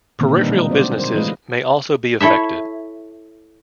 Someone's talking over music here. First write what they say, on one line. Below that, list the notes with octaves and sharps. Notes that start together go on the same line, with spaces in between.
Peripheral businesses may also be affected.
A#2 D3 D#3 A#3 C4
G3 A#3 D4 D#4 B4
B2 F#3 G#3 D#4
C4 F#4 C5 D5
A#4 C5
E3 G#3 A3 F4 B4 D#5
E4 A4 C#5 E5